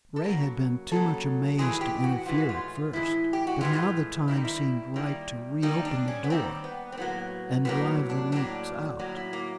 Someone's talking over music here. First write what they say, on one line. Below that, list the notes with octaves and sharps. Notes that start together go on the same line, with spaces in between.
Ray had been too much amazed to interfere at first, but now the time seemed ripe to reopen the door and drive the lynx out.
A4
C#3 F#3 A#3 A#4
C#3 F#3 A#3 A4
A2 E3 G#3 G#4
G4
F#4
A2 E3 G#3 F4
F#4
F4
A2 E3 G#3 E4
G4
F#4
A2 E3 G#3 F4
D#3 G3 A#3 E4
D#4
E4
D#3 G3 A#3
D#3 G3 A#3 D#4
D4
C#4
B3
D#3 G3 A#3 C4
B3
C4
A2 F#3 A#3 B3
A2 F#3 A#3 B3
D4
A2 F#3 A#3 D4
A2 F#3 A#3
E4
A#3